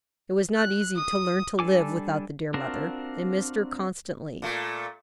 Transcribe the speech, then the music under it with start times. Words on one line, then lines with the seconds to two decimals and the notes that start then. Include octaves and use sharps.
It was not easy to learn to live without the dear mother; they missed her constantly.
0.56 F#6
0.96 D#6
1.59 G3 D4 A4 G#5 D6
2.54 C4 D4 F4 F#4 A#4
4.42 A#2 A3